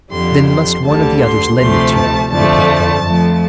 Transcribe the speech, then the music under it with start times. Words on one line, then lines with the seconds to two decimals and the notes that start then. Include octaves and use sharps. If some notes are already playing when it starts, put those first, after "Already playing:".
"Then must one of the others lend it to you," replied Robin.
0.11 F2 D3 G3 C6
0.48 C6
0.85 D2 D3 G3 A5
1.21 C6
1.58 D2 C3 F3 A3 C6
1.95 A5
2.31 F2 D3 F3 A3 A5
3.03 F2 F3 A3